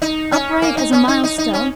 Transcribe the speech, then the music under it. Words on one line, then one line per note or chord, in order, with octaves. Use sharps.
Upright as a milestone.
D#4
C#4
A#3
D#4
C#4
D#4
D#4
D#4
C#4